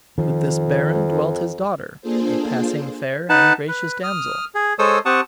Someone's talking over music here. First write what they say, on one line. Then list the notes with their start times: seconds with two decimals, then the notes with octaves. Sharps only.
With this baron dwelt his daughter, a passing fair and gracious damsel.
0.18 F2 D#3 F3
2.02 A#3 D4 F4 G#4 A4 C5
3.29 D#4 B4 F#5 A5
3.69 B4
4.03 D#6 F6
4.55 G#4
4.79 G#3 A4 C5 C#5 D#6 E6
5.06 C4 G4 F#5 A5 C#6 D#6